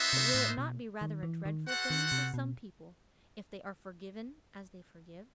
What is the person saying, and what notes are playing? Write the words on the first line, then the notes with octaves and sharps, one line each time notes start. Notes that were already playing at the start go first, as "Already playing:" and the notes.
But will it not be rather a dreadful thing for some people if they are forgiven as they forgive?
Already playing: B3 D#4 F#4 C5 E5
C3
A2
B2
D#3
E3
D#3
F#4 A4 C5 F#5
D#3
C3
B2